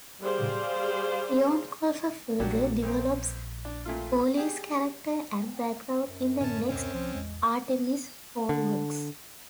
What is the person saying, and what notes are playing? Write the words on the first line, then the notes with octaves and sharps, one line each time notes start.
Eoin Colfer further develops Foaly's character and background in the next Artemis Fowl books.
G3 G#4 C5 D5 F5
A#1 F#3 D4 G4
B1 C4
D4
A#2 A3 F4
G4 G#4
F#2
A2 D3 C#4 A5
D2 B2 D3 C4 C#4
C2 F3
A1 E2 G#3
D3